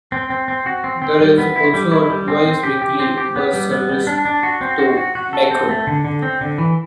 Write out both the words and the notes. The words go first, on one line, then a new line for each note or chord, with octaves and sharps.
There is also a twice weekly bus service to Macroom.
C4
C4
C4
F#4
C4
C4
G3
B3
E4
G3
E4
G3
C4
C4
G4
G4
C4
G4
B3
G3
B3
G3
D4
D4
F#4
C4
F#4
F#4
F#4
A4
C4
A3
D3
D3
C4
D3
E3